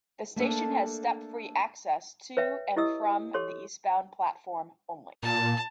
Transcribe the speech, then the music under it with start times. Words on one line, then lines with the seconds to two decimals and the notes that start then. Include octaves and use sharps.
The station has step-free access to and from the eastbound platform only.
0.36 A3 A#3 D4 A4
2.37 B4 C#5 E5 G5
2.77 E4 G4 D#5 D#6 E6
3.34 G4 A4 C#5 C6
5.23 A#2 A5